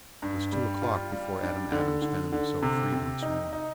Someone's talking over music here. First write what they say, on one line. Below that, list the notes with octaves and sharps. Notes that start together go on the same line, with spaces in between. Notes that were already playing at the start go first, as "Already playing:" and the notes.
It was two o'clock before Adam Adams found himself free once more.
G2
G3
F4
G3
D4
D3
D3
D3
C3
C3
D#4
D#4